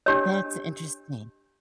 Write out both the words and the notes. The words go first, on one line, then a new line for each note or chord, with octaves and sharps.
That's interesting,
D4 G4 C#5